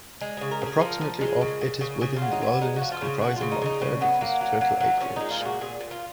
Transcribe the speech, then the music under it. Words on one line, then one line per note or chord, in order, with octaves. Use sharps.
Approximately of it is within the wilderness, comprising one-third of its total acreage.
G#3
C#3 G#4
A#4
C#3 G#4
F3 A#4
F3
G#3
C#3
C#3
C#3
C#3 G#4
F4
F#3
D#4
F#3 B3
G#3 D#4
F#4
F3
F4
C#3 C#4
F3 F#4
C#3 F4
D#4
C#3 D#4
C#3 C#4
F#3 B3
F#3 A#3
F#3
F#3
F#3
A#2 C#4
G#3 D#4
F4
A#2 F#4
A#2 G#4
A#2
F4